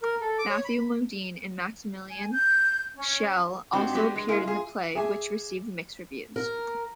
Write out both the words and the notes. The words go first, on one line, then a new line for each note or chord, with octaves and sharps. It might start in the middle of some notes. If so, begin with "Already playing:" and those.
Matthew Modine and Maximilian Schell also appeared in the play, which received mixed reviews.
A#4
A4
D6
C#5
B5
G#5
G6
C#4
G#2 C4 D4 F#4 G4
G3 G#3 B3 D4 F#4 G4
G#3
G#3 A#3 E4 G#4
F4 G#4
G#4 E5 G#5 D6
A#4